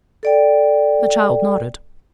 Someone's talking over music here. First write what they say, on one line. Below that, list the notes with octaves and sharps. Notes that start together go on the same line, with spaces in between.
The child nodded.
A4 D5 G5